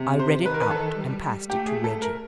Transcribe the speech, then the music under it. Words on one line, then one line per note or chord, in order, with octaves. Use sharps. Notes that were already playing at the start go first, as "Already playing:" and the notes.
I read it out and passed it to Reggie.
Already playing: C3
C5
D#3 B4
A#4
B4
A4
G3
A3 G4
G#4
A4
A#4